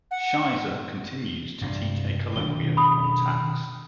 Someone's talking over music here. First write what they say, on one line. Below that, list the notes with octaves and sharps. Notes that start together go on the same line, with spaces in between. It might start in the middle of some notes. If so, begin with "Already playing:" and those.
Schizer continues to teach a colloquium on tax.
F#5
G2 C3
B2 D#3 D4 G7
B5 D#6